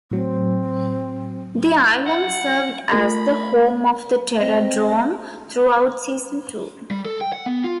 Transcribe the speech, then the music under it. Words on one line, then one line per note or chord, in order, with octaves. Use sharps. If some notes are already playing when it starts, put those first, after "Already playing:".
The island served as the home of the Terror Drome throughout season two.
A2 F#3 C4
F#5
A3 F4 A#4 B5
C4 D#5
G3
A4
G5
F#5
B3
F4